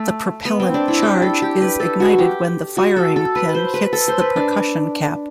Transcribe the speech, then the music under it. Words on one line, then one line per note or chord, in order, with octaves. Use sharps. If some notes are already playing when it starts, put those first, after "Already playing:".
The propellant charge is ignited when the firing pin hits the percussion cap.
Already playing: A3
B3
C4
D4
E4
G4
A4
G4
B4
A4
F#4
G4
F#4
A4
A4
B4
C5
B4
A4
C5
B4
D4